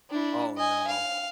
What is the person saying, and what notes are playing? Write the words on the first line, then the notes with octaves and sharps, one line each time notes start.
Oh, no.
D4 E4
D#5 G#5
F5